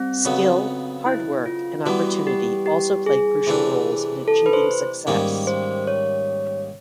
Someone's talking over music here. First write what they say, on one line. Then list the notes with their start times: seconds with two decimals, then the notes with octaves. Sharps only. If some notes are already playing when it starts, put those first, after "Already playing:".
Skill, hard work, and opportunity also play crucial roles in achieving success.
Already playing: G3 C4
0.25 F2 C#3 F#3 B3
1.06 E4
1.46 F4
1.86 E3 G3 B3 F#4
2.27 G4
2.66 G4
3.06 G#4
3.47 C3 E3 A3 D4
4.28 A4
4.46 B4
4.53 C5
5.07 G#2 D#3 G3 A#3 C#4
5.47 C5
5.87 C#5